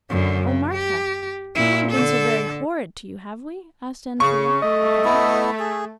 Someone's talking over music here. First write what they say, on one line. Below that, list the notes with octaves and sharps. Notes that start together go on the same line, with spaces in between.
'Oh, Martha, we haven't been so very horrid to you, have we?' asked Anthea, aghast.
F#2 D3
C#3
G4
A#2 E4
D3 A4
C#3 C#6
A3 D#5
B3 E4 A4
G#4